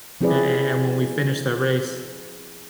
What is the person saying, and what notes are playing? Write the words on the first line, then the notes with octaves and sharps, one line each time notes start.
a a and when we finished that race,
F3 C4 E4 G#4 B4 D5